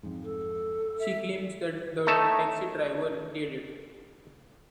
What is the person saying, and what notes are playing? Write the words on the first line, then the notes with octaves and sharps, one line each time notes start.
She claims that the taxi driver did it.
F2 G#2
A4
E5
A3 D#4 A4 C#5 E5